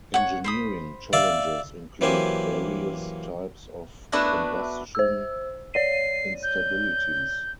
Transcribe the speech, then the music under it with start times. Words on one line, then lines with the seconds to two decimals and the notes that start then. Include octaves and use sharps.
Engineering challenges include various types of combustion instabilities.
0.14 C#5 F#5
0.44 C5 B5 D#6
1.13 D5 E5 F5
2.01 E3 F#3 A#3 G4 C5 G#5
4.12 A3 B3 D4 E4 F#4
4.95 C5 E6
5.74 C#5 D5 C7 D#7
6.43 G6